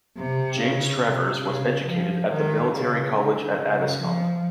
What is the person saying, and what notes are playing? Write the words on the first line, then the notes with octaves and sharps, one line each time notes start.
James Travers was educated at the military college at Addiscombe.
C3
C#3
C3
C#3
F3
D#3
C#3
D3
C#3
F3